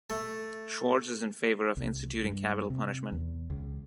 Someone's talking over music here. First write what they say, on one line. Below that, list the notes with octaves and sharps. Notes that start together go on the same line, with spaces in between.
Schwartz is in favor of instituting capital punishment.
A3
C2
G2
C3
E2
C#2